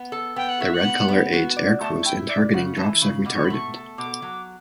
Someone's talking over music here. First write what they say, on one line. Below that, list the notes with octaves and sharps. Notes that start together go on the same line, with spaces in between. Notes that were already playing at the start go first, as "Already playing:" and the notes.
The red color aids aircrews in targeting drops of retardant.
Already playing: B3
A4
B3 G5
F#5
F#4 E5
F#5
B3
B3
F#4
D5
A3 A5
E4 G5
D5 E5
C#3 F#5
E3 A5
C#3 B5
B2 D6
C#6
B5
A3 C#6
A4
B2 D6
F#3